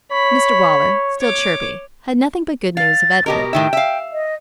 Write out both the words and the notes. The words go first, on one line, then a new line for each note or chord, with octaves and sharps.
Mr Waller, still chirpy, had nothing but good news of Edward.
C#5 B5
C#5 D6
F5 A6
B2 G4 A#4 D#5
A2 D#3 E5 G5
E5 F5
D#5